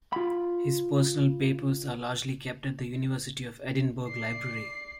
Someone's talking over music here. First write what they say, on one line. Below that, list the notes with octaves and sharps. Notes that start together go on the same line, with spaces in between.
His personal papers are largely kept at the University of Edinburgh library.
F4 B5
D5 C7